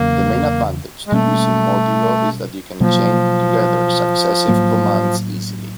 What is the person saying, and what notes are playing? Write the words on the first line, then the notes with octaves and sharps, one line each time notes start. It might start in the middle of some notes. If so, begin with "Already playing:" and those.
The main advantage to using modulo is that you can chain together successive commands easily.
Already playing: E2 C#3 F#3 A#3
G#3
B2 G3 A3 A#3 C#4
B2 F3 F#3 A#3
A2 F#3 A#3